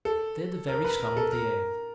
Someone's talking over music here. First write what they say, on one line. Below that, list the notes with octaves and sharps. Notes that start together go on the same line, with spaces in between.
They're the very scum of the earth.
A4
A#4
B4
A#4
A4
A#4